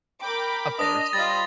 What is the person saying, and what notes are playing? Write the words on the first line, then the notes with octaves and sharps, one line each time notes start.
Of course.
A#4 G5 B5 D6
D4 D#5 D#6 A#6 F7
G3 F4 C5 B5 A6